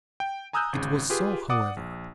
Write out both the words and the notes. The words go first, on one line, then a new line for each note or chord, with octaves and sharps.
It was so, however.
G5
G#5 A#5 D#6 E6 F#6 G6
G#1 C#3
F4 G4 G#4 B4
D5 F#5 D6 D#6
A#1